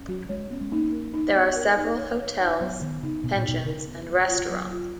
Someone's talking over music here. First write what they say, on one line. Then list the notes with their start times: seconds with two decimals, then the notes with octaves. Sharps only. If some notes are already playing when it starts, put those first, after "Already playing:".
There are several hotels, pensions and restaurants.
Already playing: C#4
0.08 F#3 F#4
0.29 G#3 C#5
0.51 B3 C#4
0.61 G#3
0.72 A#3 D#4
0.92 A#4
1.14 D#4
1.35 B3
1.56 A#4
1.77 D#4
1.98 C#5
2.19 C#5
2.40 D#4
2.60 F#3 B3
2.81 D#3 B3
3.03 C#3 D#4
3.24 B2 B3
3.36 A#2
3.45 B2 D#4
3.65 C#3 A#4
3.87 B3
4.08 F#3
4.29 F4
4.49 F#3
4.71 F4